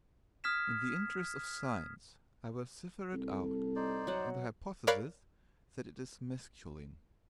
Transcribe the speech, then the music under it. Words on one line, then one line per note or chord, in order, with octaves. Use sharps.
In the interest of science, I will cipher it out on the hypothesis that it is masculine.
D#6 F6 G#6 B6 E7
C2 A4
D#4 C5 D5
F#3 F#5
A#4 C#5 D5 F5 B5 F#6